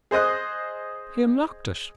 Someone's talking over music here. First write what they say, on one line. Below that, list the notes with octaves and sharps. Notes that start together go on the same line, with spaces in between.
He unlocked it.
G#4 C5 D#5 D#6 F#6